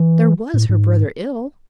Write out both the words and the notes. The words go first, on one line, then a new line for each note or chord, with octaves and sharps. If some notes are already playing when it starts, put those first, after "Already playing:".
There was her brother ill!
Already playing: E3
A2
G#2